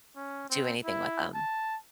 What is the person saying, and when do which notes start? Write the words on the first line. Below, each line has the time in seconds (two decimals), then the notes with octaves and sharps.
do anything with them.
0.16 C#4
0.50 C4
0.85 E4
1.34 A5